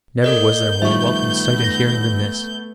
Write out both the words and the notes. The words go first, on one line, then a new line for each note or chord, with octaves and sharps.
Never was there more welcome sight and hearing than this.
A#3 A4 A#4 D5 D#5 G6
G2 D#3 F3 A3 B3 E5 C#6
A#6